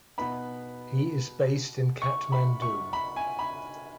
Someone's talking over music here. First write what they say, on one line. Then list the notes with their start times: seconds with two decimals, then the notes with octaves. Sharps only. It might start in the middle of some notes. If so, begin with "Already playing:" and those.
He is based in Kathmandu.
0.18 B2 B3 D#4 B5
2.02 C#6
2.32 B5
2.62 C#6
2.93 B5
3.16 G#5
3.39 B5